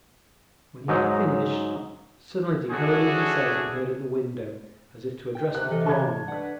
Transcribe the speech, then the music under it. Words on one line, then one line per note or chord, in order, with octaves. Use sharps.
When he had finished, suddenly Dukhonin himself appeared at the window, as if to address the throng.
G#2 F#3 D#4 D#5
D4 E4 F#4 G#4 A4 C#5
G5
C3 F#6
E3 A4 D#5
A5 C#6 G#6
D4 B4 F#5